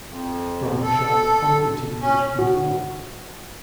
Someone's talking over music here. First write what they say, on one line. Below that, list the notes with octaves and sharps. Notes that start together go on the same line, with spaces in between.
Strong sharp conical teeth which interlock.
F2
A4
C#4
F#4